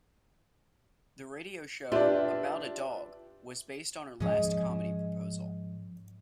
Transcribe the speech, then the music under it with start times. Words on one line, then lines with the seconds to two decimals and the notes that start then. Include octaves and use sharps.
The radio show "About a Dog" was based on her last comedy proposal.
1.92 D4 F4 G4 B4 E5
4.20 G#2 F3 G#3 C#4 G#4